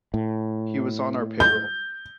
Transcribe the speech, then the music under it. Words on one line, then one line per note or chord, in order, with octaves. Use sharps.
He was on our payroll.
A2
G6